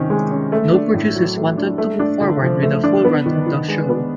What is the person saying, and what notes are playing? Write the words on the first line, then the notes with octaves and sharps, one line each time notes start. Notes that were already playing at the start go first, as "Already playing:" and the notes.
No producers wanted to move forward with a full run of the show.
Already playing: C3 D#3 C#4
G#3
C#4
A3
D4
A2
F#3
A3
D4
A3
D4
D3
F3
A3
D4
B3
D#3
D#3
G#3
B3